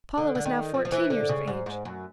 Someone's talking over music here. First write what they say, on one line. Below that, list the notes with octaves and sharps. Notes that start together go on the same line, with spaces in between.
Paula was now fourteen years of age.
D3
D3
D#3
F3
F3
E3
D3
C#3
G#2
G#2
F#2